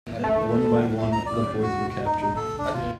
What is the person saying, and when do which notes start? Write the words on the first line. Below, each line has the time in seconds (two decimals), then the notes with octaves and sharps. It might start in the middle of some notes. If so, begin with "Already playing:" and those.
One by one the boys were captured.
0.24 A3
0.97 A3
1.12 A#5
1.26 D5
1.62 F#4
1.90 F#4
2.06 D#4
2.21 D#4
2.36 A4
2.58 D4
2.74 F4